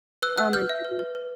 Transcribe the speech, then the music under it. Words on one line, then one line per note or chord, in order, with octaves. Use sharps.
Oh my goodness.
B4 E6 F#6
F#5 E6 F#6
B4 F6 G6
E5
B4
B4
B4